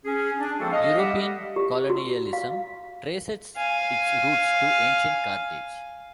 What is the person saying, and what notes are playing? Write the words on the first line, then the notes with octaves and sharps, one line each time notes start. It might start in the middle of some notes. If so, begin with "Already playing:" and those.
European colonialism traces its roots to ancient Carthage.
C#4 G#4
D4
F3 G#3 A#3 C4 F#4 A4
D#5 F5
G3 G4 E5 F#5
G4
F#4
F5
F5 G#5